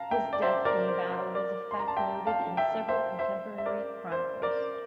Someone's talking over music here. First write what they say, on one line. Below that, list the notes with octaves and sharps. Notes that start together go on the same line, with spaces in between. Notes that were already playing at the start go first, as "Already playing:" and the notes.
His death in the battle was a fact noted in several contemporary chronicles.
Already playing: F5 A5 A#5
E5 G5
D5
C5 E5
A#4 D5
C5
C5
A#4 D5
C6
A#5
A5
E5 G5
F5 A5
E5 G5
C5 E5
C5 E5
E5
A#4 D5
C5
A#4 D5